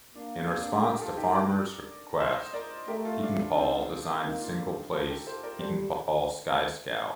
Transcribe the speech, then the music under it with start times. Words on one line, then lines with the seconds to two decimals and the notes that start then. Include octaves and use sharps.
In response to Farmer's request, Pietenpol designed the single-place Pietenpol Sky Scout.
0.15 A#3 D4
0.38 C4
0.61 D4
0.83 G4 A#4
1.01 F4 A4
1.17 D#4 G4
1.35 A#4 D5
2.20 C5 D#5
2.54 A#4 D5
2.88 A3 G4 A#4
3.05 F4 A4
3.22 D4 F4
3.39 D4
3.56 C4 D#4
4.24 A#3 C4 D#4
4.41 D4 F4
4.58 D4 F4
4.92 F4 A4
5.09 G4 A#4
5.26 A4 C5
5.43 A#4 D5
5.60 G3 A4 C5